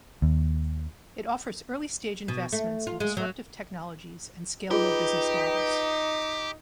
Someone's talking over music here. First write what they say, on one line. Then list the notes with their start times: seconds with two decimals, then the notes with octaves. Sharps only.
It offers early-stage investments in disruptive technologies and scalable business models.
0.22 D#2
2.28 B2
2.53 A3
2.87 F4
3.00 G#3
3.17 F#3
4.71 D#4 F4 G4 G#4 B4